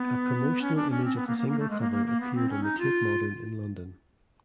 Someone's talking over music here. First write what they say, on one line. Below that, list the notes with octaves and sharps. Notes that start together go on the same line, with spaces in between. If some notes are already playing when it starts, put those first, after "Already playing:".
A promotional image of the single cover appeared on the Tate Modern in London.
Already playing: B3
C#4
D4
C#4
C4
B3
A#3
A#3
A#3
A3
G#3
A#3
A#3
A#3
B3
C4
C#4
D#4
F4